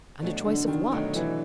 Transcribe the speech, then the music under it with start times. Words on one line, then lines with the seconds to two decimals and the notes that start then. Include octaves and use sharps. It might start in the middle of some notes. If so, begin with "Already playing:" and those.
And a choice of what?
0.22 E2 B2 F#3 A3 D4
0.45 D3
0.68 D#3
0.91 E2 B2 D#3 F#3 A3 D4
1.15 E3